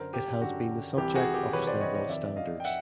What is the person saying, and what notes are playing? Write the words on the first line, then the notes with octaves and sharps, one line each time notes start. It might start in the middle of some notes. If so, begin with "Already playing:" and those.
It has been the subject of several standards.
Already playing: F#2 D3 A#4 C5
G4
F#2 D3 F#4
C2 C3 E3 G4
F#4 G#4
G4
C2 C3 E3 B4 C#5
C5 D5
C#5 D#5
C#5 D#5
F2 C3 D#3 D5 E5
D#5 F5
G5
E5 F#5